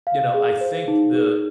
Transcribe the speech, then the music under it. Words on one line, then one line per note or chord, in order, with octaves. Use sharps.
you know, I think the
F5
G#4
C5
D#4
G#4